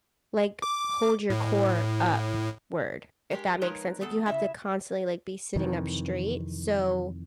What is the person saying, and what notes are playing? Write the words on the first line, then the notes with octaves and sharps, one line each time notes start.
like, hold your core upward, if that makes sense, like, you have to constantly, like, be sitting up straight, so
D6
A2
G#3 G4 A#4
F3 G#3 D#4 A#4 B4 C#5
E2 B3 A4
C#3 E4 E5
F2 C3 D#3 E3